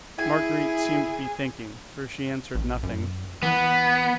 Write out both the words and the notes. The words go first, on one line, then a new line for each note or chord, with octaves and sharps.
Marguerite seemed to be thinking, for she answered nothing.
E4 G#4 G#5
A1
F#2
E3 B3